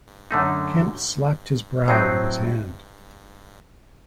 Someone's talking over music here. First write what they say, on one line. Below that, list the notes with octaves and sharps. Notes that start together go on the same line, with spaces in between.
Kemp slapped his brow with his hand.
F#2 D3 A3 D#4
A2 F#3 C4 D#4 C5